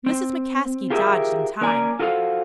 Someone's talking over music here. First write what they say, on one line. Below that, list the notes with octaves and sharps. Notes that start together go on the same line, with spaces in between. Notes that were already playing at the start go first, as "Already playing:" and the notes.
Mrs. McCaskey dodged in time.
C4
F4 G4 G#4 A#4 D#5 E5
A#3 C#4 D5 G#5 A#5
F4 F#4 A4 C5 D#5 F5